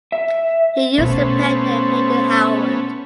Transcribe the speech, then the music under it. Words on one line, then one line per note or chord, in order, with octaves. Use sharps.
He used the pen name Hayden Howard.
E5
B2 A3 B3 C#4 C5